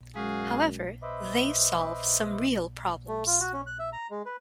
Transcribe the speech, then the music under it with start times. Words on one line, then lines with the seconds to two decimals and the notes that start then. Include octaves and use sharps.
However, they solve some real problems.
0.16 F#2 G#3 F#4 G#4 F5
1.02 B4 C5 D#5 E5 B5 D6
3.08 A3
3.27 F4
3.40 F#4
3.53 C#4
3.67 F#6
3.79 E5
3.93 A#5
4.11 G#3
4.26 B4